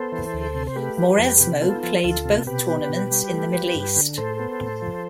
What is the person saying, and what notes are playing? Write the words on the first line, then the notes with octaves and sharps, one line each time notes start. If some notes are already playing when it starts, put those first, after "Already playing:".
Mauresmo played both tournaments in the Middle East.
Already playing: B3 A4 C5
E3
D2
C3
C5
A3 G4 B4
F3
F2
C3
B3 F4 A4
F3
D2 F4 A4
C3
B2 G4 B4
B3
B2
G3
A3
F3
G2
D3
A2 A4 C5
B3
A2
F3